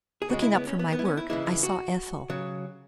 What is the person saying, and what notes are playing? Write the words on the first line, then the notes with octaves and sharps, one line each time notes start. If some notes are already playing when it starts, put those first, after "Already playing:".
Looking up from my work, I saw Ethel.
G#4
C#3 G#3 F#4
E4
B3
C#4
B3
B3
E4
C#4
E4
C#3 E3 G#3 E4
E4
F#4
C#3 F#3